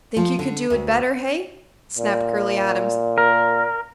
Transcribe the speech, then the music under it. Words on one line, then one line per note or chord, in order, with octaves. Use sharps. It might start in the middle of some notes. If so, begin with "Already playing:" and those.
"Think you could do it better, hey?" snapped Curley Adams.
F3
D3
D2
A#2
A#4